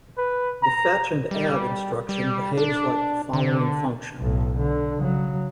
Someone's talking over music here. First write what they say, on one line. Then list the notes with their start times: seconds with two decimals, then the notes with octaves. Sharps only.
The fetch-and-add instruction behaves like the following function.
0.17 B4
0.63 A#5
1.31 G3
2.09 G3
2.57 D4
3.33 D3
4.18 B1 A2
4.58 D3
4.99 C#3 F#3